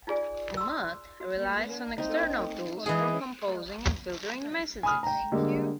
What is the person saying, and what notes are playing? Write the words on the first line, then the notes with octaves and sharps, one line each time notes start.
Mutt relies on external tools for composing and filtering messages.
D#4 F4 G#4 D5 G#5
C6 E6
F#4
C4 D#4
E3 G#3 G#4 D#5
G#5 B5 D#6 F6
G5 A#5
D3 G3 G#3 A#3